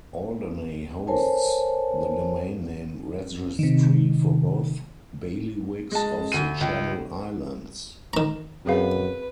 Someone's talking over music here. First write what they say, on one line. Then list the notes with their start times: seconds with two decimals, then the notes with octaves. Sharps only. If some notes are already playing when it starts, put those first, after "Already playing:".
Alderney hosts the domain name registry for both bailiwicks of the Channel Islands.
1.07 A4 A#4 C5 C#5 G#5 A5
3.59 C3 D#3
5.92 G#3 A5
6.32 D2 D#7
6.61 C#2
8.13 D#3 A#5
8.66 F#2 C4 G#4 B4 F5